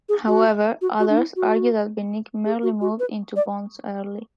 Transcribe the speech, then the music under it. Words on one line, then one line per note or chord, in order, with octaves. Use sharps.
However, others argue that Vinik merely moved into bonds early.
G#4
F#4
F#4
F#4
D4
E4
F#4
G#4
F#4
F#4
B4
D5